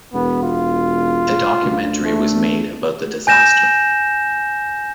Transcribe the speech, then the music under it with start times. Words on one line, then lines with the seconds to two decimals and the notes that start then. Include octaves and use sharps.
A documentary was made about the disaster.
0.14 E1 B3
0.43 F4
1.62 D2
2.04 A3
3.27 G#5 G6 A#6 E7